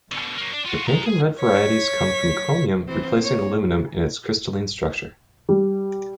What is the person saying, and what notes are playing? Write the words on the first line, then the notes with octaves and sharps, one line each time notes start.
The pink and red varieties come from chromium replacing aluminum in its crystalline structure.
B2 D3
F#3 A#3
D4
F4 F#4
G#4 A#5
G#4
C#5 B6
E3 C4
A#3 C#5
G3